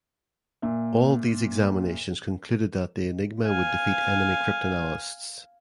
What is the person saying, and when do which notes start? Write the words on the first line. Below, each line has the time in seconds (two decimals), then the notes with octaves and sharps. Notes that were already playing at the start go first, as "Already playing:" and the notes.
All these examinations concluded that the Enigma would defeat enemy cryptanalysts.
0.62 A#2 E5
3.46 F5 G#5